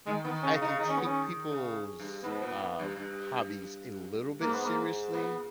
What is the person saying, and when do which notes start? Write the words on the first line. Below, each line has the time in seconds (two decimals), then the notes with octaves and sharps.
I can take people's, uh, hobbies a little bit seriously
0.06 D#3 G#3
0.25 D#3 B3
0.43 C#3 C#4
0.62 C#3 D#4
0.79 D#3 D#4
0.88 C#4
0.97 B3
1.06 C#4
1.51 C#3
2.00 G2
2.24 G#2 B3
2.42 A#2
2.79 G2
2.96 G2
4.42 G#2 A#3
4.54 B3
4.66 A#3
5.13 A#2 B3